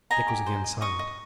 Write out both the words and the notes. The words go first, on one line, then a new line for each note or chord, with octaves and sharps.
Dick was again silent.
D#5 G#5 A#5
G4
C5
D#5
D#5 C#6 D#6
D#5